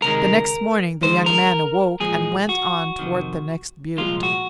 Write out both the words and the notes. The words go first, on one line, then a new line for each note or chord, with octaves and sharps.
The next morning the young man awoke and went on toward the next butte.
C#2 C3 D#3 G#3 A#4
D#2 D#3 G#3 C5
A#4
A#2 F3 G#3 G#4
F#4
F2 C3 D#3
C2 A#2 F3 G#3 F4
F#4